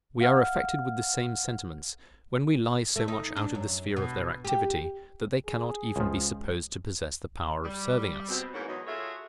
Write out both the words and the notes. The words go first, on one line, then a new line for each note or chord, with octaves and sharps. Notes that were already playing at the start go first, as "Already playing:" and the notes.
We are affected with the same sentiments, when we lie so much out of the sphere of their activity, that they cannot even be supposed to possess the power of serving us.
F5 F#5 F6
A3
D#4
D4
F#2
B2
G4
G#4
C#2 F3
G3
B2 C4
G#2 E3 A#3 C#4 F#4
E2 F#3 D#5
F4 F#4 G#4 A4 C#5 E5